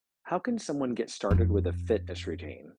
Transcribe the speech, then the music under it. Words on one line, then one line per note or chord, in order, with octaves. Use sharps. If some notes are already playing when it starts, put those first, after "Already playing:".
How can someone get started with a fitness routine?
F2 D#4